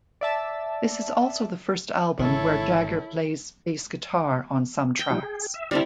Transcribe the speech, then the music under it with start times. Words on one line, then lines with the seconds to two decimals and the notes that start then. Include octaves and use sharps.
This is also the first album where Jagger plays bass guitar on some tracks.
0.21 D5 E5 A5
2.19 G#1 D3 E4 A4 C#5
4.99 G5
5.11 F3 G3 D#4
5.23 G#4
5.54 E5
5.71 D3 G3 C4 E4 A5 F6